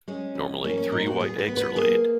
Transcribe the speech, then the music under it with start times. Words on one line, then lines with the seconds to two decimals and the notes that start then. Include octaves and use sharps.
Normally, three white eggs are laid.
0.08 G#3 C#4
0.35 F2
0.64 A#3 C#4
0.77 C#4
0.91 A#2 D#4
1.06 F#4
1.20 B3 G#4
1.39 B4
1.48 B3
1.57 B4
1.76 A#3 G#4